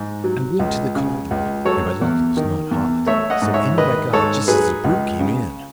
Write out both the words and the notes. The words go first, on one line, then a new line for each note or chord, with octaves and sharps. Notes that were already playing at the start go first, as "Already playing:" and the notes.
I went to the caldron, and by luck it was not hot, so in it I got just as the brute came in.
Already playing: G#2
F#3
C#2
C#3
C#2
F#3 A4 C#5
E2
D#3
E2
A3 C#5 E5
D#5 F#5
G#2
C#5 E5
D#3 B4 D#5
G#2 A4 C#5
F#3 G#4 B4
C#2
C#3